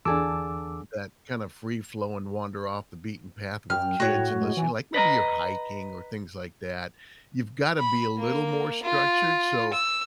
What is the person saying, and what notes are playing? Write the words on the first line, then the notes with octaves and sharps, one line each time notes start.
that kind of free flowing wander off the beaten path with kids unless you're, like, maybe you're hiking or things like that. You've gotta be a little more structured, so,
E2 D3 G#4 A4 D6 E6
F#2 G5 F6
A2 F#4 C#5
G#3
E3 G#5
B4 D#5 A#5
B5
A#3
F4
E6